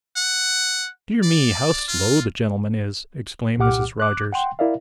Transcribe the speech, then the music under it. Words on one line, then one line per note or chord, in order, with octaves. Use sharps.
'Dear me, how slow the gentleman is,'exclaimed Mrs. Rogers.
F#5
D5
F4
C2 A#2 G4 F#5 D6 F6
D6 F#6
F#5 G5 C6
E4 A#4 D5 E5 F5